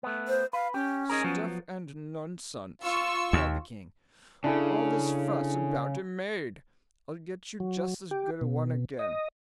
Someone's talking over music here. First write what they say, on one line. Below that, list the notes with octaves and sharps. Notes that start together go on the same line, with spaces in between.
'Stuff and nonsense', cried the king; 'all this fuss about a maid! I'll get you just as good a one again.
A3 B3
C5
B4 F5
C#4 G4
D#4 G#4 A#4
F3 F#3 B3
F4 C#6 E6
D#2
C#3 D4 E4 A4
F#3
G4
B2
D#5